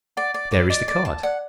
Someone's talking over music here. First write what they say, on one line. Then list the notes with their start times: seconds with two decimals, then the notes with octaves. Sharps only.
There is the card.
0.17 D5 F#5
0.34 D5
0.52 D5
0.70 D5 D#5
0.88 D5
1.05 A5
1.23 D5 F#5